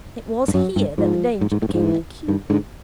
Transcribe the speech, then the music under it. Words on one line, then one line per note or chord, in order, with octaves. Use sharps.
It was here that the danger became acute.
G2
F#2 F#3
G2
G#2 F3
G#2
G#2
A2
G2
G#2 F3
E3
G2 D#3
G#2 D3